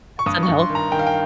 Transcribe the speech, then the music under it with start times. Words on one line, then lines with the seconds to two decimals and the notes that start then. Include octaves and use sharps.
That's unhealthy.
0.19 C#6
0.26 G2 D#6
0.43 C#6
0.48 G2
0.59 C6
0.69 D#3
0.75 A#5
0.91 D#3 G5
0.99 F5
1.07 G5